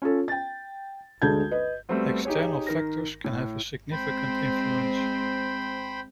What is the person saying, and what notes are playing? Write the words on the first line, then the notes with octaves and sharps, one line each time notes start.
External factors can have a significant influence.
C#4 F4 A4
G5 A6
D2 D3 G#3 A5 G6 G#6
B4 D#5
G3 A3 B3 C4 F#4
D#4 G4 G#4 C#5
D#3 A#4 A#6
A2
G#3 C4 C5 G5 B5